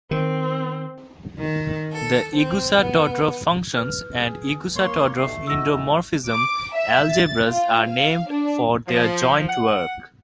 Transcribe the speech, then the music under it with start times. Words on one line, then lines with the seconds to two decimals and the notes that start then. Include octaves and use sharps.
The Igusa–Todorov functions and Igusa–Todorov endomorphism algebras are named for their joint work.
0.11 D#3 C4
1.38 D#3
1.94 A4
2.36 C4
2.77 B3
3.75 B4 F6
4.15 G#4
4.76 A#3 C#5 C6
5.17 B1 G2 A3 C7
5.47 D#4 E4 F#4 E6 A#6
6.27 D6
6.74 E5
7.12 A6
7.47 F4
7.86 F5
8.28 D4
8.87 F3
9.48 F#5